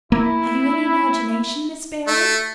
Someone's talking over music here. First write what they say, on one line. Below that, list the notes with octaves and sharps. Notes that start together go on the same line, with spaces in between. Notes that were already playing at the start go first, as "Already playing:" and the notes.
Have you any imagination, Miss Barry?
A#3 E4
A3